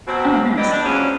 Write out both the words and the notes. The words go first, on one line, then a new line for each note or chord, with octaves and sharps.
Oh, nice.
B2 F#3 C4
E4 G4 B4 D5 D#5
D4
E2 C#3 F3 F#3 C#4